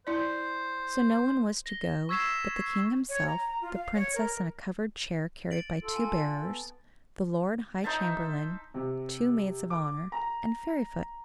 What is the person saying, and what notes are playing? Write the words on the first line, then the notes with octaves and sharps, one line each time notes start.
So no one was to go but the King himself, the Princess, in a covered chair carried by two bearers, the Lord High Chamberlain, two Maids of Honour, and Fairyfoot.
E4 C5 D5
A#6 G7
C#6 E6 G#6 B6 C7 E7
C#5
A#5
A#5
F4
F5
C#5
A#4
A6 D7 F#7
F4 A4
G#5 A5
A6
B3
D#4 C5 E5 A5
C3
D6
A#5